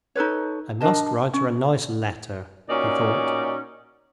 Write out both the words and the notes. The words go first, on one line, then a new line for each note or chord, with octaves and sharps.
"I must write her a nice letter . . ." he thought.
D#4 A4 B4 C#5
D4 A#4 D#5 A5
C#4
A#2 C#4 D#4 F#4 D5